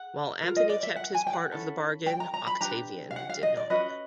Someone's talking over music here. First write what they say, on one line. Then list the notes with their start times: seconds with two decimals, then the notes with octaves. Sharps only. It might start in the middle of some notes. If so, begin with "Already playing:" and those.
While Antony kept his part of the bargain, Octavian did not.
Already playing: G#4 F#5
0.42 F4 A#4
0.56 D#5
0.69 D5
0.83 E5
0.96 F#5
1.15 G#5
1.27 G5
1.33 F#5
1.52 C#4 E4 A4
2.06 G5
2.20 A#5
2.34 A#5
2.47 B5
2.61 D4 G4 B4 A#5
3.11 F5
3.16 F#5
3.29 F5
3.43 D#5
3.57 D5
3.70 C#4 F#4 B4 D#5